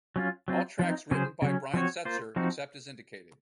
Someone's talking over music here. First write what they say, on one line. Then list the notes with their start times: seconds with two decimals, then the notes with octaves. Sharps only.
All tracks written by Brian Setzer except as indicated.
0.16 F#3 C#4 F4
0.48 F#3 C4 F4
0.79 F3 C4 D#4
1.11 C#3 F#3 C#4 G#4 C5
1.42 C#3 F#3 C#4
1.74 F3 C4 F#4 C#5
2.05 A#3 F4 C5
2.36 F3 C4 D#4 F#4